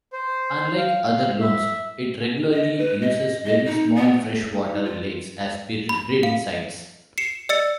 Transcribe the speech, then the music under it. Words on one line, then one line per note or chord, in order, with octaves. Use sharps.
Unlike other loons, it regularly uses very small freshwater lakes as breeding sites.
C5
F5
E5
D#5
B4
D#5
D#5
D#4
B3
A3
D#4
F4
B5
F5
C7 C#7 E7
D5 D#5 E6 A6 C#7